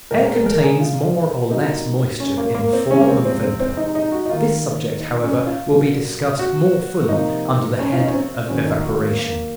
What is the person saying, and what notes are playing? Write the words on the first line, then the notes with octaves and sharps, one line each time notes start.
Air contains more or less moisture in the form of vapor; this subject, however, will be discussed more fully under the head of evaporation.
A#2 G#3 A#4
A#4
A#4
G#4
F4
C3 F#3 A#3 D#4
C#4
A#3
A#3
C4
C3 F3 G#3 C#4
A#3
C4
C4
C4
C4
D#4
D#4
F#4
D#4
D#3 A#3 F4
D#4
C#4
F4
A#2 F#3 A#3
F#4
C3 F3 A#3 D#4
C#4
F4
D#4
C#4
C4
D#3 F#3 A#3 C#4
D#4
F#4
A#3
A#3